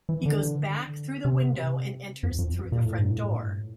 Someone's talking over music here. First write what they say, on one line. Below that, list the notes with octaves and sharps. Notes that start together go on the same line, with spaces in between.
He goes back through the window and enters through the front door.
E3
D3
C3
F2
F2
A#2
A2
G2
A2